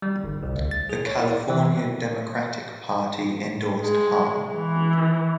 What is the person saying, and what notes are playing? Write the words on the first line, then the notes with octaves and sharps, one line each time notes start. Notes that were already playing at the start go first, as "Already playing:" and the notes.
The California Democratic Party endorsed Hahn.
G3
G1
C2
D2
A6
G#4
C#5
E4
D5
E3
G#3
E3